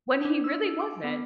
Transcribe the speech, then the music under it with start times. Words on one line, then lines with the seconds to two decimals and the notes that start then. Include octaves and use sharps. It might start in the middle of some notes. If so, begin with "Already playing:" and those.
When he really wasn't.
0.25 D4
0.44 E6
0.79 D6
1.04 B3